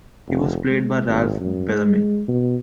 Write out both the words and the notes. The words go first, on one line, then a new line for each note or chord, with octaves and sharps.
He was played by Ralph Bellamy.
F1
G#3
G#1
F#2
G#3
B2